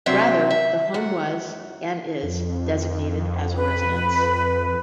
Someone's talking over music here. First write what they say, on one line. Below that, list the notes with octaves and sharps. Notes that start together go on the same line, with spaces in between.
Rather, the home was and is designated as a residence.
C3 F#3 C4 D4 E5
E5
F#2 F#5
F2
B4